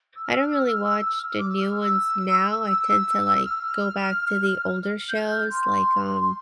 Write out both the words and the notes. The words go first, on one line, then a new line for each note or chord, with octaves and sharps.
I don't really watch the new ones now. I tend to, like, go back to the older shows like, um,
E6
F6
E6
F6
E6
F6
E6
F6
E6
E6
E6
F6
F6
D6
E6
F6
E6
E6
F6
G6
F6
C6